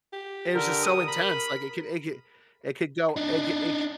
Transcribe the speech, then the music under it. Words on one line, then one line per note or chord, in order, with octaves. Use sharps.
It was just so intense, like, it could it could it could go it c it c
G4
D3 A#4
D#6
A#4 B5
D4 D#4